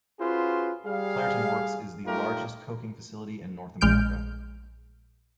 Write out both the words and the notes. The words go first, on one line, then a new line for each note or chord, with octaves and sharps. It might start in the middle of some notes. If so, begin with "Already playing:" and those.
Clairton Works is the largest coking facility in North America.
C#4 F4 F#4 G#4 B4 C5
G3 G#4 F5
G3 A3 D#4 F4 G4 A#4
A#1 G#3 F6 G6 D7